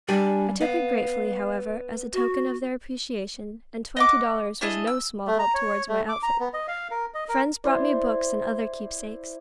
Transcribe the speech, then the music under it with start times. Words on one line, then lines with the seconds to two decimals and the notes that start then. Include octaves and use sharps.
I took it gratefully, however, as a token of their appreciation, and twenty dollars was no small help toward my outfit. Friends brought me books and other keepsakes.
0.08 G3 D4 G4 G#5
0.60 B3 F5
2.13 F#4
3.97 D#5 F#5 D6
4.61 D4 E4 G#4 D#5
4.87 E6
5.27 A3
5.39 A#5
5.54 C#5
5.89 A3
6.09 D6
6.23 A#5
6.40 B3
6.54 D#5
6.68 F5
6.91 A#4
7.14 D#5
7.29 A#4
7.64 E4 C5 D5